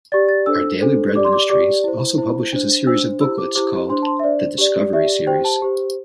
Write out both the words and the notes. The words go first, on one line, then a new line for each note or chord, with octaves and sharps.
Our Daily Bread Ministries also publishes a series of booklets called "The Discovery Series".
G4 D5 A6
A6
D4 A4 C5 E6
D4 A4 C5
G4 D5 D6
C6
D6
G4 D5 D6
E4 C5
E4 C5
D4 C5
D4 C5 E6
E4 G4 C5 E6
D6
E4 G4 C5 D6
D4 C5 C6
A5
C6
E5
D4 C5 D5
G4 D5
G4 D5 E5
G4 C5 G5
A5
G4 C5